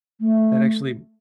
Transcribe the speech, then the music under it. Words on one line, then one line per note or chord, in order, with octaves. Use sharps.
that actually
A3